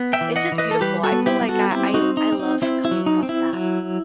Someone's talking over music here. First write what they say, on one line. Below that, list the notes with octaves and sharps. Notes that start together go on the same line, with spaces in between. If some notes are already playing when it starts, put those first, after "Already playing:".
it's just beautiful. I feel like I I I love coming across that.
Already playing: B3
E5 G5
E3
D#5 F#5
E3
B4 D#5
A4
G3 G4 B4
F#4 A4
B3
E4 G4
G3
F#4 A4
C4 E4 G4
D#4 F#4
C4
D#4
C4
D#4
C4 E4
E4
F#3
D#4
C4
E4
F#3